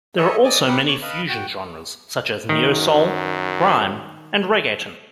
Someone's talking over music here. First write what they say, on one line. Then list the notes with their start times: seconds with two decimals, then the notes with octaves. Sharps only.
There are also many fusion genres such as Neo soul, Grime, and Reggaeton.
0.17 A4 C#5 D#5 E5
0.44 D5 D#5 G#5
0.68 B3 G4 A#4 B4 F#5
0.88 C#5 A5 C#6 D6
1.02 B4 D#5 F5 A5 B5
1.29 F#4 G5
2.49 F#2 D#3